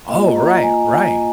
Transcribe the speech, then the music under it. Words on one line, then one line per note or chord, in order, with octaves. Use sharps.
Oh, right, right.
A#3 F4 D#5
A#5
G#5
A#3 F4